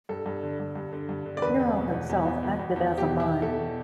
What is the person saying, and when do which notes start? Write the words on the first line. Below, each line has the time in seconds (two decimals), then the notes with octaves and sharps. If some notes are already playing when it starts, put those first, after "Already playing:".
Nero himself acted as a mime.
0.09 G2 A4
0.26 G2
0.43 D3
0.60 G2
0.75 G2
0.92 D3
1.09 G2
1.26 D3
1.37 D5
1.42 E2 B4
1.59 E2
1.76 B2
1.92 E2
2.09 E2
2.25 E2
2.43 E2
2.59 E2
2.76 E2
2.92 B2
2.98 G4
3.09 E2
3.20 E4
3.26 E2
3.42 E2 A4
3.59 B2